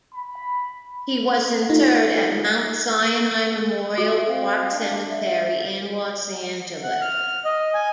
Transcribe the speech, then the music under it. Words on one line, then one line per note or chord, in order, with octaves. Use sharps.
He was interred at Mount Sinai Memorial Park Cemetery in Los Angeles.
B5
D#4 F4
F4 F#4
C4 F5
D4
E5
F#5
F6
D#5
G#5